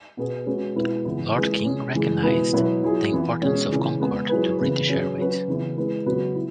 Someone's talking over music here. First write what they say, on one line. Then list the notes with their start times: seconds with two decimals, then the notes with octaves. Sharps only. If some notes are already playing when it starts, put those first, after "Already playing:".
Lord King recognised the importance of Concorde to British Airways.
0.17 B2 B3 G#4 B4
0.46 G#3 C#4 F#4 B4
0.76 B2 G#3 B3 E4 B4
1.05 C#3 E3 B3 E4
1.34 G#3 E4 G#4 B4
1.64 G#3 C#4 G#4
1.94 C#3 E3 G#3
2.23 B2 G#3 E4 G#4 B4
2.53 B2 F#3 B3 E4 B4
2.83 F#3 E4 G#4
3.12 E3 B3 E4
3.41 B2 G#3 C#4 G#4
3.71 C#3 E3 C#4
4.00 G#3 B3 G#4
4.29 F#3 E4 G#4 B4
4.58 C#3 E3 B3 E4 B4
4.89 F#3 C#4 G#4 B4
5.18 F#3 C#4 F#4 B4
5.48 C#3 E3 B3 E4
5.77 G#3 E4 B4
6.06 C#3 F#3 B3 F#4 B4
6.35 E4